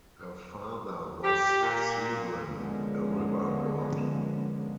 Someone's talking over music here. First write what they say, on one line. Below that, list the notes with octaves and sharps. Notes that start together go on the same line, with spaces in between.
Her father was Cebren, a river-god.
G4
A#2
D3 F3 G#3 A#3 B3 C#4